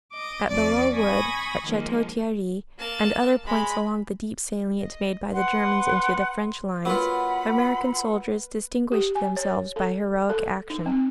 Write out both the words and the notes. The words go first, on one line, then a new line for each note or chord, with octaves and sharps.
At Belleau Wood, at Chateau-Thierry, and other points along the deep salient made by the Germans into the French lines, American soldiers distinguished themselves by heroic action.
D#5 D6
F2 D5
G#5 B5 C#6 D#6 G#6 A#6
D#3 F3 G#3 A#3
A#3 A5
G#3 B5
D#5
B4 F#5 C6
F#3 A#3 F4 B4 F#5 B5
G4
G#5
C#5
A4
A4
D#4
C4